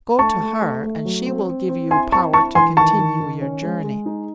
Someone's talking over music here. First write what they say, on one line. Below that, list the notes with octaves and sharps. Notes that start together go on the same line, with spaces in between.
Go to her and she will give you power to continue your journey.
A3 A5 C#6
A3
A3
A3
F#3
C4
C4
C4
E4 G#5 C6
C4 A5 C#6
E4 A5 C#6
E3 G#5 C6
D#3 A5 C#6
D#3
D#3
C#4
G#3
G#3
D#4